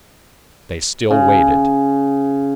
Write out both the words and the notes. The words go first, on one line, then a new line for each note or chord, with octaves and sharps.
They still waited.
C#3